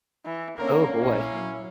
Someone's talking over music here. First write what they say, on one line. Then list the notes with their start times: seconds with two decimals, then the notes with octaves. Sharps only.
Oh boy.
0.25 E3
0.58 D3 A#3 C#4 A#4
1.01 A#1 C#4 E4
1.34 F#3